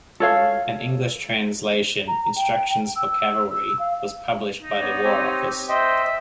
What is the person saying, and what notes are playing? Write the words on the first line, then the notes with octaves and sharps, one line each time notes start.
An English translation, "Instructions for Cavalry", was published by the War Office.
A4 C#5 F5
A#5
G5
E6
E6
F5
D#4
B3 C#5 D5
C4 G4 C#5
C5 D#5 E5 G5